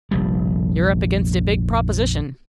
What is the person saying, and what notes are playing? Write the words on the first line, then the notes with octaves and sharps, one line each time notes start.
"You're up against a big proposition."
F1 A#1 G3